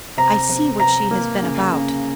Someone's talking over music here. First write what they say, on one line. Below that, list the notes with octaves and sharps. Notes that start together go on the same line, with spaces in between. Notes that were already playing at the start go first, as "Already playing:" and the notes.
I see what she has been about.
C3 A#5
C3
C3 A#5
A#3
C#3
C#3